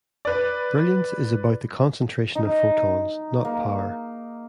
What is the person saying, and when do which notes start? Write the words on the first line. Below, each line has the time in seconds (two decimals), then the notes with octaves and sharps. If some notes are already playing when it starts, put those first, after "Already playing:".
Brilliance is about the concentration of photons, not power.
0.25 B4 D5
2.35 D#4
3.45 A#3